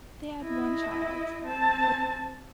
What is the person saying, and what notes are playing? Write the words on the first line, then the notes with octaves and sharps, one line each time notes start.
They had one child.
E4 D#5
C4 A5